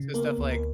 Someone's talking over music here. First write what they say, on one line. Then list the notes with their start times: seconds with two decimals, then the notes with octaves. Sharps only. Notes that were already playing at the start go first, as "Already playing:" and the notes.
So, stuff like
Already playing: C#3
0.14 A#3 B3 A#4
0.38 D2
0.51 A#4